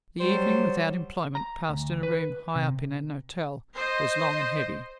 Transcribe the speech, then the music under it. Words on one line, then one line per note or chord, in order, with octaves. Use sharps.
The evening, without employment, passed in a room high up in an hotel, was long and heavy.
F#3 G3 C5
A#5
D2
B4
C3
C5 D#5